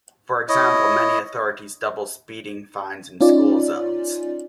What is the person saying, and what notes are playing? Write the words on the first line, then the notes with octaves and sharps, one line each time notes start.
For example, many authorities double speeding fines in school zones.
E4 C#5 D#5
C#4 D#4 F4 D5